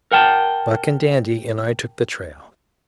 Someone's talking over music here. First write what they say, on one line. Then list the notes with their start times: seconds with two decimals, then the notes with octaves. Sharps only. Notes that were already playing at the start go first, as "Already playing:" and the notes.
Buck and Dandy and I took the trail.
0.11 A#4 F#5 G5 A5